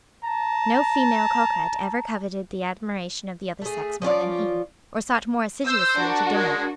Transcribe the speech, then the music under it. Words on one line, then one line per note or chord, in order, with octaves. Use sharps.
No female coquette ever coveted the admiration of the other sex more than he, or sought more assiduously to gain it.
A5 A#5
A3 G#4
F3 C#4 F4 D5
C5 E6
D4 F#4 A#4
G#3